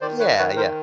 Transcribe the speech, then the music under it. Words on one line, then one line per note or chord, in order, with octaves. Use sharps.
Yeah, yeah.
D#3 C5 D5
B4 C#5
D#3 B4 C#5
A#4 C5